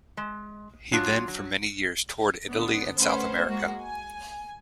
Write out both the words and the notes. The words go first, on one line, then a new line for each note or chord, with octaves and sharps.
He then for many years toured Italy and South America.
G#3
F#3 G#3 D4 F4
F#3
D3 B3
A3 C#4 B4 C5 F#5
G#3 A#3 F#4
G#5